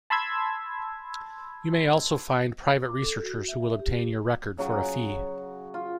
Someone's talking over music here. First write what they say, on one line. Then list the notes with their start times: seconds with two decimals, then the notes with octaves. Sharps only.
You may also find private researchers who will obtain your record for a fee.
0.10 A5 B5 C6 E6 G#6
2.86 D6
3.02 A4
3.23 F#4
3.48 E5
3.79 G4
4.58 C#3 F#3 F#4
5.74 F4